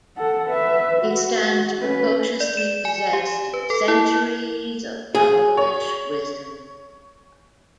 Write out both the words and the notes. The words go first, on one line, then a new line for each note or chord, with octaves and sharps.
He stands precociously possessed of centuries of owlish wisdom.
A4 F#5
B4 E5
F#4
C#4 B4
D5
E7
G#5
G4
B4
A4
E4
G#4
C#5